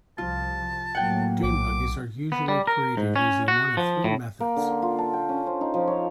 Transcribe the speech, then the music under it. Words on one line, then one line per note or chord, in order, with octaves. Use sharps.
Dune buggies are usually created using one of three methods.
C2 F3 F4 A5
A2 F#3 A#3 F#5 G5
B1 D6
B3
G3
A#4
G#2
C#4
F#4
F3
A2
A#3
D3
C6
F4
A5
G5
C#4
C5
D#4
F3
C#5